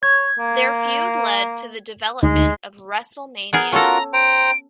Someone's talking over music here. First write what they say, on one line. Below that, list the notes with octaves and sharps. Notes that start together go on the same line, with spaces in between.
Their feud led to the development of WrestleMania.
C#5 G#6
A#3
D2 G#3 D#4
B3 G#4 A#4
C#4 F4 F#4 A4 A#4 A#5
C5 G5 A#5 D7